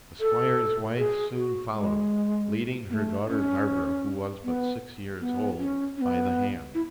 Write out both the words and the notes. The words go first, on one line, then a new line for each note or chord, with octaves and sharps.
The squire's wife soon followed, leading her daughter Barbara, who was but six years old, by the hand.
A4
G#4
F#4
G#3
B3
A3
C#4
B3
B3
C#4
C#4
B3
E4